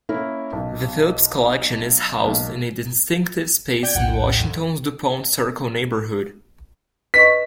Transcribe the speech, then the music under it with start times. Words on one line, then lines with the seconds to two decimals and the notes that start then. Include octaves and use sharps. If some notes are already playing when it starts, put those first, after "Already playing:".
The Phillips Collection is housed in a distinctive space in Washington's Dupont Circle neighborhood.
0.09 A#3 C#4 E4 A#4
0.53 B1
2.24 B1 A#3
3.83 D5 G5 G6 G#6
3.95 A#1 D#2 A2 F#5 G5
4.39 F2
7.14 B4 D#5 C#6 B6